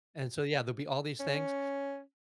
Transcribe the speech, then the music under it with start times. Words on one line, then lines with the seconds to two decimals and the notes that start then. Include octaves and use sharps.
And so yeah, there'll be all these things,
1.19 C#4